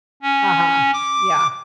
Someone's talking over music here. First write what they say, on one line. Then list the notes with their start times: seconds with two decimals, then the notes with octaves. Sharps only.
Uh-huh, yeah.
0.22 C#4
0.93 D6